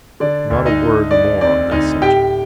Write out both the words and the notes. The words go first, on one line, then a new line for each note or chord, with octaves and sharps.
Not a word more on that subject!
D3 D5
D2
D#4 D#5
D3
D3 D5
C4 D5
D2 D#4 D#5
A2 G4 G5